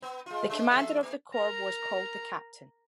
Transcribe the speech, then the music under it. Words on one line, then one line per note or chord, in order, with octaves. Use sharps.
The commander of the corps was called the Captain.
B3
G#3 F4
G#3 A3 D4
F3 A4 E5
A#3
A#4 A#5